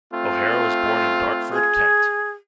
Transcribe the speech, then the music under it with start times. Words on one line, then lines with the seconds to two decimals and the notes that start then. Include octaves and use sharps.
O'Hara was born in Dartford, Kent.
0.13 A3 C4 F4
1.52 G#4